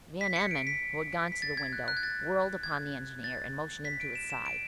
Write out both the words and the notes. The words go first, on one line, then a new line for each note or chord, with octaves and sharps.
Van Emmon, who had gone to the window, whirled upon the engineer and motioned him to his side.
B6
C#7
D7
B6
B6
A6
G#6
F#6
F#6
G#6
A6
G#6
A6
B6
D7
E7
E7
D7